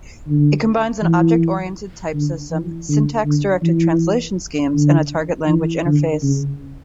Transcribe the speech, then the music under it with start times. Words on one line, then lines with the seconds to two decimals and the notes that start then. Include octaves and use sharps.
It combines an object-oriented type system, syntax-directed translation schemes and a target-language interface.
0.28 D3
1.03 E3
2.14 D3
2.51 E3
2.89 D3
3.25 D3
3.63 E3
4.74 D3
5.47 E3
5.85 D3
6.22 C#3